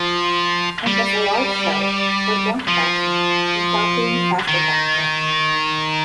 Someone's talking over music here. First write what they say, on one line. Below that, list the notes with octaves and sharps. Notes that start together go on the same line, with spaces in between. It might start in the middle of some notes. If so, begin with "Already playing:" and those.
And as a 'large shell' for junk bashing and countering fast attack craft.
Already playing: F3
G3
F3
D#3